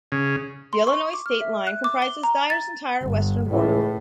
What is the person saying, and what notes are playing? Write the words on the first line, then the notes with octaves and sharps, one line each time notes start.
The Illinois state line comprises Dyer's entire western border.
C#3
C6
C#6
D6
F6
E5
F#6
D6
G7
A#5
A6
G1
C#2 A2 E3